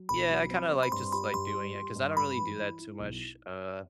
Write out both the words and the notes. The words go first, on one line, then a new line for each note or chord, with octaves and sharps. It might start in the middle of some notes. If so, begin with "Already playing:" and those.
Yeah, I kinda like just like doing it 'cause I don't really do that too much, uh,
Already playing: F#3
B1 B5
F#3
C4
C4
B5
G2 C6
G3 B5
G2 C6
G3
G3
G2
G2 B5
E3
E4
E4
B1